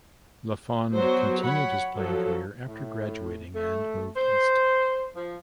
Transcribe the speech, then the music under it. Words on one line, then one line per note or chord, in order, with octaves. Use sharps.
Lafond continued his playing career after graduating and moved east.
F#3 B3 F#4 C5
C#5 F#5 B5
F3 F#3 A4
A2
A3
C5
F3